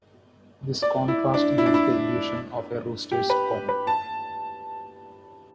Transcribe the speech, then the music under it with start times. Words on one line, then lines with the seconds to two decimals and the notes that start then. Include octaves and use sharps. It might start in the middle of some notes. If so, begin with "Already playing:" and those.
This contrast gives the illusion of a rooster's comb.
0.82 D5
1.08 E4
1.34 D4
1.58 E4
1.66 D4
1.74 E4
3.11 G4
3.30 B4
3.68 B4
3.87 A5